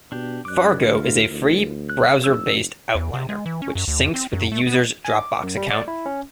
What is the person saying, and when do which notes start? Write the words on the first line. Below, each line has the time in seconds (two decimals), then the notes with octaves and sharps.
Fargo is a free browser-based outliner which syncs with a user's Dropbox account.
0.12 B2 D4 G4
0.45 F#2 D6 F#6
0.83 D2 E4 F4 A#4
1.30 D2
1.89 F#6
2.24 F1 E6
2.95 E2
3.14 C3
3.29 G#3
3.46 E3
3.62 C#4
3.75 F#2
3.88 D2
4.00 F2
4.14 C4
4.33 F#2
4.52 A3
4.67 B3
5.05 G#5
5.18 D6
5.43 F#2
5.57 G3
5.71 D5
5.88 E4
6.06 C#4